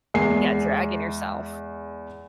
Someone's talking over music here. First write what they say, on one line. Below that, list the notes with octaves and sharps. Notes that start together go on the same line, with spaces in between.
Yeah, dragging yourself.
E2 G#3 C7